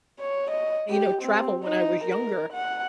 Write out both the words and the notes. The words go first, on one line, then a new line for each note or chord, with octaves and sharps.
you know travel when I was younger
C#5
D#5
G4
C4
D#4
A#4
F#5